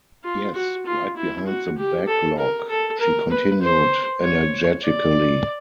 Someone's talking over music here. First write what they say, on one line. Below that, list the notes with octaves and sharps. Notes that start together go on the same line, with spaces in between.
"Yes, right behind the back log," she continued, energetically.
F4
F#4
F4
E4
F#4
G4
A4
A#4
A4
A#4
B4
C5
C#5
D5